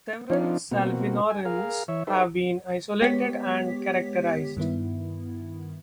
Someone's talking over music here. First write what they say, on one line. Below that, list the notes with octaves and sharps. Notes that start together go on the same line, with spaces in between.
Several salvinorins have been isolated and characterized.
F3 C4 D4 D#4 F4
B2 A#3 C4 F#4
G#5
G#4 A#4 F5
E3 C#5 E5
D#4 G4 A4 B4 C5 E5
G#3 B3 G4 C#5 B6
G2 D#3 B3 E4